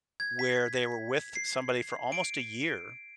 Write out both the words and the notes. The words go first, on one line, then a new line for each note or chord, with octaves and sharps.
where they were with somebody for almost a year,
G#6
B6
C7
D7